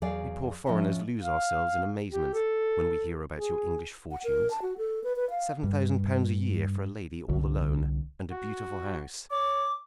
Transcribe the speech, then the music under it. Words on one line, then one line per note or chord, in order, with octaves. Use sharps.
We poor foreigners lose ourselves in amazement when we hear about your English fortunes. Seven-thousand pounds a year for a lady all alone, and a beautiful house!
E2 F#3 G#4 D5 F5
G#2 E3 F3 C#4 D#5 E5
F5
G4
A4
G#4
F#5
A#4
A5
F#4
A4
B4
B4
F5
G2
C2 D3
F#4
C#5 D6